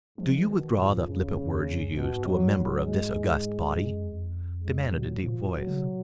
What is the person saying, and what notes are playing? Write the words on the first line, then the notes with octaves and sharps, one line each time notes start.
"Do you withdraw the flippant words you used to a member of this august body?" demanded a deep voice.
G#2 F3
B2 D#3
G#2 F3
F2
F#2
C#3
F2
F#2
F2
F#2
G#2 B2
F#2
G#2
F#3
F#3
G#3
F#2
F2
G#3
A#2 F#3
A#2 F3
F#3
C#3
B2